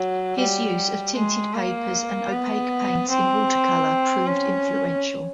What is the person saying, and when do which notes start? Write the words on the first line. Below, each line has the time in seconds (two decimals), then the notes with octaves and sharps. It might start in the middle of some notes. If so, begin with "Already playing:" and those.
His use of tinted papers and opaque paints in watercolour proved influential.
Already playing: F#3
0.38 G3
1.16 G#3
1.54 A#3
2.32 B3
3.10 C4
4.27 C#4